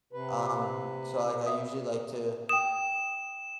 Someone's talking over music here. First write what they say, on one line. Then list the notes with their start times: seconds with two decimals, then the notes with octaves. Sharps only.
Um, so, like, I usually like to,
0.13 C3 B4
1.46 E5 D#6
2.49 G5 D#6 E7